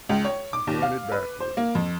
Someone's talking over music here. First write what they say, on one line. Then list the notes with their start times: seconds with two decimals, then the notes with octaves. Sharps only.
He pointed backward.
0.09 C#2
0.24 C#5
0.53 D6
0.67 D#2
0.82 F5
1.12 B4
1.40 C5
1.57 A#3
1.75 F2